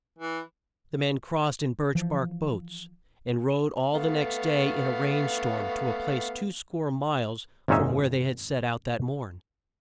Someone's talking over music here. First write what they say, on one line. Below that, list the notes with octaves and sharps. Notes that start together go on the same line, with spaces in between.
The men crossed in birch-bark boats, and rode all the next day in a rain storm to a place two-score miles from where they had set out that morn.
E3
E3 F3
A3 B3 F5
G#1 F#2 A#2 C#4 D#4 E5